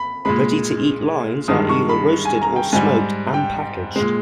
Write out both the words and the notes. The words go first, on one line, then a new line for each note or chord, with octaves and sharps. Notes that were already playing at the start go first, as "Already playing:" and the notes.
Ready-to-eat lines are either roasted or smoked and packaged.
Already playing: B5
A#2 G#3 B5
G2 D#3 G#3 D#6
C#6
B5
G#5
A#5
G5
G#2 G3 G#5
G5
A#2 G#3